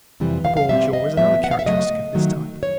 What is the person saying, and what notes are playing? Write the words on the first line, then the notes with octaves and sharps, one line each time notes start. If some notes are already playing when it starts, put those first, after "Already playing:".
A broad jaw is another characteristic of this type.
F2 C3 E3 G3
F5
F5
B2 G3 C4 E5
D#5
A2 F3 G#3 B3 E5
F#5
F5
E5
C#3 F#3 A3 D#5
D#3 F#3 A3
C#5